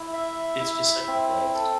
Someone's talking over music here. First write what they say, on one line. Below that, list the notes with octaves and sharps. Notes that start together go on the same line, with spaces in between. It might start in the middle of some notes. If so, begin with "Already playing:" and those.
it's just such a blast.
Already playing: E4
E5
E4
C4
A4